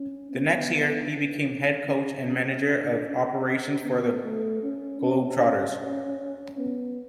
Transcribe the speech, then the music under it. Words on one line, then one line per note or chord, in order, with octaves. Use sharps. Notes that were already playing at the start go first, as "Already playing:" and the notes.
The next year, he became head coach and manager of operations for the Globetrotters.
Already playing: C#4
B3
C#4
C#4
C#4
C#4
D4
C#4
B3
A3
C#4
C#4
C#4
B3